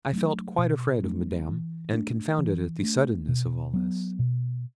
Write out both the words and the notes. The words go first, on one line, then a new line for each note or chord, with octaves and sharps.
I felt quite afraid of Madame, and confounded at the suddenness of all this.
F#3 A3 D4
B2
F#3 A3 D4
E3
A3 D4
E3
A3 D4
B2
F#3 B3
B2